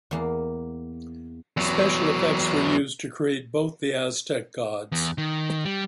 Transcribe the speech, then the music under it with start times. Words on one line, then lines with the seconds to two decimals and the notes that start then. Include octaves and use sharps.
Special effects were used to create both the Aztec gods.
0.11 E2 A#3
1.57 E2 F#3
4.92 E2
5.18 D#3
5.65 G3